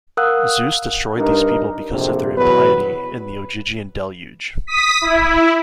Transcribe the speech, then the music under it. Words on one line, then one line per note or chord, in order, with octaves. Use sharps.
Zeus destroyed these people because of their impiety, in the Ogygian Deluge.
A#4 F5 F#5 D#6 E6 F#6
G2 D4 D#4 A#4
A#1 F2 C3
E2 B2 F#3 B4
D#6 B6
E4